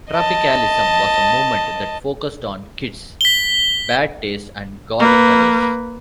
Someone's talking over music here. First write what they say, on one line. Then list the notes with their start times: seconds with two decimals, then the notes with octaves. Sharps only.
Tropicalism was a movement that focused on kitsch, bad taste and gaudy colors.
0.12 D#5 A5
3.21 B6 G7
4.99 A#3 B4